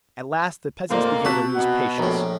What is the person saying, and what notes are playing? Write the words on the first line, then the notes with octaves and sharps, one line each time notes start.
At last the peasants began to lose patience.
F1 A#2 A#3 C5 D5
C3 F#4 A5 F#6 B6
B2 F#5
A#1 A2 A#4 C#5